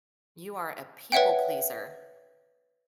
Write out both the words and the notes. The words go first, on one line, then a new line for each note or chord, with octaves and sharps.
You are a people pleaser.
B4 C#5 E5 F#5 G5